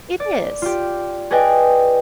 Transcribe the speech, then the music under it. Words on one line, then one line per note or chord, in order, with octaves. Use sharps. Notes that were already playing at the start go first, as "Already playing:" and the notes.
It is.
D5
F4 G4
G#4 B4 D5 D#5 G5 G#5